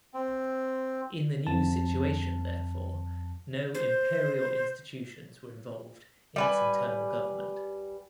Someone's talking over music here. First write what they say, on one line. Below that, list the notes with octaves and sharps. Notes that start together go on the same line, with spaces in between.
In the new situation therefore, no Imperial institutions were involved in its internal government.
C4
F2 A5
C5
G3 B4 G#5